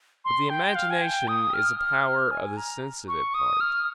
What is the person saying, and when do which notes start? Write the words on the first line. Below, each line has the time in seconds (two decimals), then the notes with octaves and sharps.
But the imagination is a power of the sensitive part.
0.25 C6
0.50 G5
0.75 F5
0.90 G#5
1.02 G5
1.28 D#6
1.54 F6
1.79 F6
2.05 F6
2.31 G#5
2.57 A#5
3.08 C#6
3.34 D#6
3.60 F6